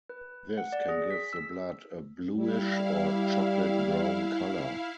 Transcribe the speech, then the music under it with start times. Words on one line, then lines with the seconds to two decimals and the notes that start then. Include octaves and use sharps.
This can give the blood a bluish or chocolate-brown color.
0.09 B4
0.57 F#5
0.72 D5
0.88 G#4
1.11 B6
1.33 E6
2.37 G3 E4 F5